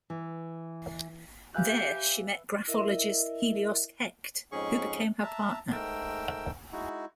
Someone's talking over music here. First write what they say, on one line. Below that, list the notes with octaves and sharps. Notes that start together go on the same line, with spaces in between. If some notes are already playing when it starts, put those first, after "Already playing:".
There, she met graphologist Helios Hecht, who became her partner.
E3
G4 B4 E5 F5 G#5 F#6 G6
E4 A#4 D#5 E5
F2 G#2 C#4 G#4 C#6
E5 A5 A#5
G#2 A3 A#4 G5 E6
G#3 D#4 E4 F#4